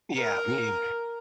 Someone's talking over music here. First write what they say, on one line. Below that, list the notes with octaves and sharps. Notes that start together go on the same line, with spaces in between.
Yeah, me.
A#4